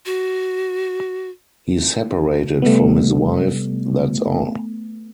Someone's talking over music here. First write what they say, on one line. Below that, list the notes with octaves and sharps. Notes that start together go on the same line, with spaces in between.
He separated from his wife, that’s all.
F#4
C3 G3 A3 B3